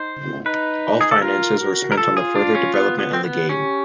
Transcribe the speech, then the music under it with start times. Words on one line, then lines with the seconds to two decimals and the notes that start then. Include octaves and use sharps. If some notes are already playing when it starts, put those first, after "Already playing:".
All finances were spent on the further development of the game.
Already playing: D#4 C5
0.46 D#4 B4
1.01 G#4
1.11 A4
1.22 F4 A#4
1.60 F#4
1.92 A#4
1.97 F4 A4
2.17 G#4
2.35 D4
2.55 C#4
2.74 B3
2.99 B3
3.13 C4
3.24 B3
3.49 C#4 G4